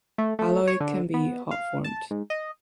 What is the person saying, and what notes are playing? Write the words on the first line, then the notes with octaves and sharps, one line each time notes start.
Alloy can be hot formed.
A3
A3
C#5
D3
B3
F5
A5
G#2
D#5